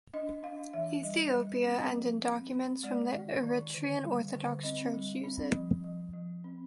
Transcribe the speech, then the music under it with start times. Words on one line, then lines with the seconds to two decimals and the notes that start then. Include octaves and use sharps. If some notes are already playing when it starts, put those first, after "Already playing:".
Ethiopia and in documents from the Eritrean Orthodox Church use it.
0.13 D4 D#5
0.43 D4 F5
0.73 E3 E5
1.03 G3 D#5
1.33 G3
1.63 C4
1.94 F3
2.24 C4
2.53 C4
2.83 G#3 D5
3.14 D#3
3.43 D#3
3.74 D3
4.04 G3
4.34 D3
4.63 C4 D#5
4.94 G3
5.24 C4
5.53 F3
5.84 F3
6.13 F3
6.44 C4